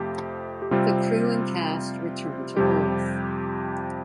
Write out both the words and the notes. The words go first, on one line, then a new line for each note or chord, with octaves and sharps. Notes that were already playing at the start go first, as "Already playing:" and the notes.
The crew and cast return to Earth.
Already playing: F2 C3 F3 A3 G4
G4
C3 G3 C4 F4
F2 C3 G3 G4